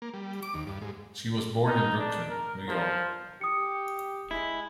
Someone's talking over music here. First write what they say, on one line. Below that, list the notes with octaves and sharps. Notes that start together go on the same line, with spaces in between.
She was born in Brooklyn, New York.
A#3
G3
D6
D#2
G2
G#2
D#4
D4
A#4
F3
G4 D#6 C#7
G#3 E4